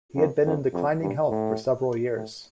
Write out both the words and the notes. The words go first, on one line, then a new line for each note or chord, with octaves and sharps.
He had been in declining health for several years.
F2
F2
F2
G2
A2
A2